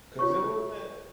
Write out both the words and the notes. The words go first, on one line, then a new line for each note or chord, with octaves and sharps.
'cause it wasn't
F4 C#5 C#6